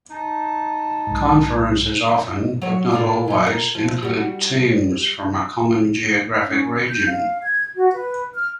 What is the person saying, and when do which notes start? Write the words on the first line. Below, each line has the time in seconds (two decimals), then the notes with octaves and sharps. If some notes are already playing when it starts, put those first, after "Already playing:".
Conferences often, but not always, include teams from a common geographic region.
0.11 D#4 A5
1.07 B1 G#2
2.62 F#3 C#5
2.92 A2 D4 F4
3.28 A#2 F#3
3.46 A#4
3.75 F3
4.03 G3 F#4
6.47 C#4
6.90 G6
7.07 F5
7.43 G#6
7.76 F#4
7.93 B4
8.34 F6